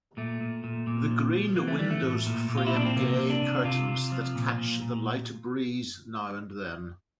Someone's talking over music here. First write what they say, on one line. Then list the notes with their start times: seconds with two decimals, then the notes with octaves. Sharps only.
The green windows frame gay curtains that catch the light breeze now and then.
0.17 A#2 A3
0.41 A#2
0.64 A#2
0.87 A#2
1.10 F3
1.33 F3
1.56 E3 A#3
1.68 A3
1.79 E3 G3
1.91 A3
2.02 A2
2.26 A#2
2.49 A#2
2.57 F4
2.67 E4
2.73 F3 D4
2.85 C4
2.96 C3 A#3
3.19 C3
3.30 D4
3.41 C3
3.65 C3 F4
3.88 C3
4.12 F3
4.35 A#2
4.58 A#2
4.82 A#2